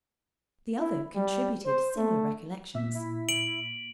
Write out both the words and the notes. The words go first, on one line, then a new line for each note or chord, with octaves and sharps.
The other contributed similar recollections.
E4
G3
C5
A3
A#2 E5 B6
E4
D7 F#7